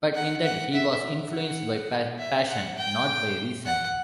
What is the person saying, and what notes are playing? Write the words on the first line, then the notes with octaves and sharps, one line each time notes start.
But in that he was influenced by passion, not by reason.
F#5
F#5
E5
F#5
E5
F#5
G5
F#5